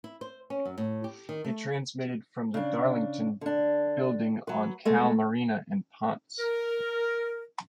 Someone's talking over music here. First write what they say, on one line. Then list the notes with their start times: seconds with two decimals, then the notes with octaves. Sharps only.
It transmitted from the Darlington building on Calle Marina in Ponce.
0.04 E4
0.21 C5
0.50 C#4
0.65 F#2
0.78 A2
1.04 G4
1.29 D#3
1.44 A3
2.54 C#3 D4
3.41 D3 D4
4.47 F#3 B4
4.85 G#3 A3 B3
6.39 A#4